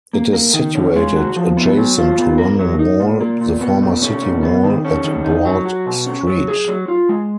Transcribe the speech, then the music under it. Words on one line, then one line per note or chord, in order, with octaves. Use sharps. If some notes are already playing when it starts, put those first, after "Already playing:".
It is situated adjacent to London Wall, the former city wall, at Broad Street.
A#3
A#4
D#3
C#4
G#3
F#4
F3
B3
F#3
F4
B3
A#4
F#3
D#4
A#2
A#3
A#2
B3
A#2
C#4
A#2
B3
D#3
C#4
D#3
D#4
F#3
F#4
B2
C#4
F#3
G#4
F#3
F4
G#3